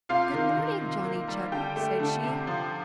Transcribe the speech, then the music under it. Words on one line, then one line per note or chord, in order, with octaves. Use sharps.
"Good morning, Johnny Chuck," said she.
C3 F4 F5
D#3
D#3
C3
A#3
G3
D3 G4 G5
A3
D3
C3
F3